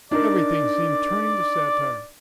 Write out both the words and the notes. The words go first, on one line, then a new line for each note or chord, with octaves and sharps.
Everything seemed turning to satire.
D4 D#4 A#4 D5